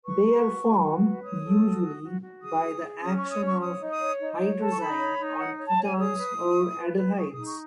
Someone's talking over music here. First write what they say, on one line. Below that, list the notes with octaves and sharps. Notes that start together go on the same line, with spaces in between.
They are formed usually by the action of hydrazine on ketones or aldehydes.
B4 C#6
B4
F#4
F#4
F#4
B4
C#5 D#6
A4
F#4
F#4
F#4
F#4
G#4 D#6
G#4
G#4
C#4 D#6
C#5 C#6
D#6
C#4 C#6
C#5 D#6
D#4
D#6
C#5
D#4
C#5
A4
C#6
D#4 B5
C#5
D#4
G#5
C#5 F#5
C#5
A5
C#5 G#5
G#4 D#6
B4
E4
E4
B4
B4
G#4 C#6
D#4 D#6
C#6